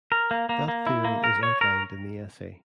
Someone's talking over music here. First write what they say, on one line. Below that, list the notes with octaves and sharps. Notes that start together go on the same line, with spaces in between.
That theory is outlined in the essay.
A#4
A#3
A#3
A#3
E4
A#3
A#4
C#5
A#4